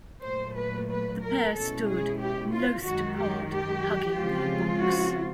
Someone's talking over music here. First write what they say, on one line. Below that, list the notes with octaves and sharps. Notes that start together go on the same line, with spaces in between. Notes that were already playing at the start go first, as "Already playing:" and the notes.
The pair stood, loth to part, hugging their books.
A#2 F#3 A3 C5
B4
B4
A#4
B2 G#3 C#4 E4 A4
G#4
G4
F4
F#2 D#3 G#3 F#4
G4
G4
C#3 F3 G#3 C4 F4
F#4